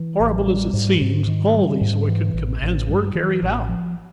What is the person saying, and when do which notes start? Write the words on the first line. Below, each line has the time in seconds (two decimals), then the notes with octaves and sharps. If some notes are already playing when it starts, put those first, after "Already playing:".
Horrible as it seems, all these wicked commands were carried out.
Already playing: E3
0.20 A1
0.47 G3
0.73 G#2
1.01 G#2
1.27 D#3
1.54 G3
1.81 G#2
2.09 E3
2.34 A1
2.62 A1
2.88 G2
3.15 E3
3.43 A1
3.69 F3